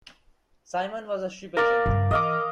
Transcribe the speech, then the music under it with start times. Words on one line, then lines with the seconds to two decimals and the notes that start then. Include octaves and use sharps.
Simon was a ship agent.
1.57 A#4 D5 F5
1.86 G2 C#3
2.11 E3 D#5 F5 D6